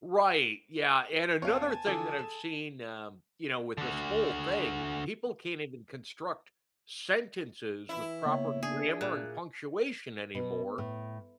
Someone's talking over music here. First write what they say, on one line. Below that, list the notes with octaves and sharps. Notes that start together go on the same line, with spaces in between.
Right, yeah, and another thing that I've seen, um, you know, with this whole thing, people can't even construct sentences with proper grammar and punctuation anymore.
E2 C3 C#5 F5 G#5 A5
D3 F3 G#4 A4 D6
E7
D3 F#4
E3 E4
C#3 A#3 B3 C#5
D4 G#4
A#2 F#6
B2
A2